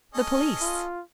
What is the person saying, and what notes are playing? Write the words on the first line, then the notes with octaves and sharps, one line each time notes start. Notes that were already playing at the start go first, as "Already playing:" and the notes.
"The police."
C#4 A4 D#5
F4